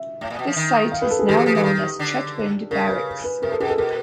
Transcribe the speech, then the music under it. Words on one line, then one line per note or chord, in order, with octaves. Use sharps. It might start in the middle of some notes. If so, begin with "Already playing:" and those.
This site is now known as Chetwynd Barracks.
Already playing: E5
A2
A#2
B2
F3
D#3
F5
B4
A4
G#4
D#3 G4
E3
F3
E3
D#3
D3
C#3 A#4
B4
B4
C3 A#4
A4
B2 G#4
A4
B2 A#4